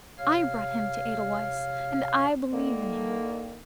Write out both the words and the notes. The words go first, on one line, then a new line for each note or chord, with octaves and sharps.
"I brought him to Edelweiss, and I believe in him."
C3 C#5 F5 F6
D3 D#3 A#3